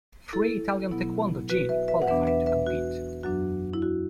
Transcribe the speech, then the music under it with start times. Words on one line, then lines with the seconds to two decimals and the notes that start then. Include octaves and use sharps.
Three Italian taekwondo jin qualified to compete.
0.33 E4 A4
0.91 B2 F#3 B3 E4
1.50 F#4 B4
1.69 B4 E5
1.88 B4 E5
2.02 F#5
2.08 E2 E3 B3 D4 B4 E5
2.27 B4 E5
2.46 B4 E5
2.66 F#4
3.23 F#2 F#3 D4 F#4
3.73 E4
3.82 F#4